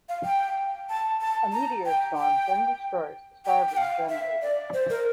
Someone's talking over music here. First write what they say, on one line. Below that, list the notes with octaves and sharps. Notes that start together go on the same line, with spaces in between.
A meteor storm then destroys the starboard generator.
F5
G5
A5
A5
A#5
G5
G5
G5
G5
F5
E5
D5
C5
A#4